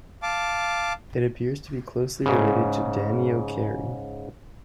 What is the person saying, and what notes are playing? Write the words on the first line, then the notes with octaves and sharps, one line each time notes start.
It appears to be closely related to "Danio kerri".
F5 A5 D6
G#2 C#3